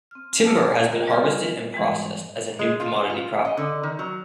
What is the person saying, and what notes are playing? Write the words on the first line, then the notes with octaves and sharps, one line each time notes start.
Timber has been harvested and processed as a new commodity crop.
C4 F6
G#5 A5 E6 F6
F4 A#4 D#5 A#5
G3 B3 D#5 G#5 F6
G3
G#2 E3 G3 G#3
G#3
F4
B4
F4
D#5
D3
D#3
F#3